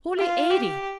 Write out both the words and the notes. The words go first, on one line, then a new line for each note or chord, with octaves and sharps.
"Fully eighty."
F4
G4